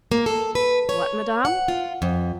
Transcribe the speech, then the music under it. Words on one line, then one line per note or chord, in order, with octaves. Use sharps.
"What, madame?"
A#3
A4
B4
C#5
F#5
F4
F2